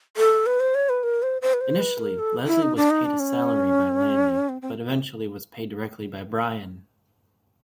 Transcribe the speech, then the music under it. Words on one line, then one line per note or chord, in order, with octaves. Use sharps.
Initially, Leslie was paid salary by Landy, but was eventually paid directly by Brian.
A4
B4
C5
C#5
B4
A#4
C5
C5
B4
C5
B4
A#4
A4
E4
D#4
D4
D#4
D4
C#4
C4
C4